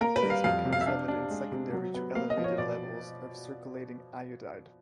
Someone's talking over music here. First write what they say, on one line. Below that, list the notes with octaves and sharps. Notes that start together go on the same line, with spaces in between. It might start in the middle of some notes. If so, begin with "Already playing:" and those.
This becomes evident secondary to elevated levels of circulating iodide.
A#3 A#4
B4
G3
F5
F2 F5
C3
F5
E5
D4 F5
D4
G#3
C3
F#3
B3
A#3 F5
D#5
F3
C#5
B2 D5